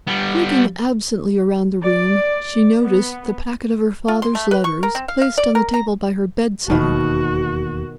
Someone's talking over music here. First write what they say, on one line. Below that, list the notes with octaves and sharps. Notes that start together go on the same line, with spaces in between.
Looking absently round the room, she noticed the packet of her father's letters placed on the table by her bedside.
G3 B3
D5
B3
F4
C6
A3
B4
C#6
A#4
C4
F5
F5
D5
A#4
A#5
E1 D#2 B2 D#3 A3 F#4